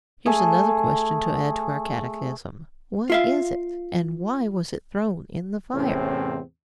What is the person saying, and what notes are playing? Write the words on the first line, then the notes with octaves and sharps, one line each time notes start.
Here's another question to add to our catechism: what is it, and why was it thrown in the fire?
A3 G#4
F4 E5 F5
E2 A2 C3 C4 C#4